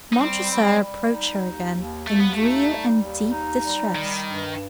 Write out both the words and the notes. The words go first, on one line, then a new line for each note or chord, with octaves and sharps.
Montresor approached her again, in real and deep distress.
D#4
G3 C4
G3
G3
D#4
D#2
D#2
D#2 A3
B3
A3
D#4
G3
D#2
D#4
G3
D#3 G3
G2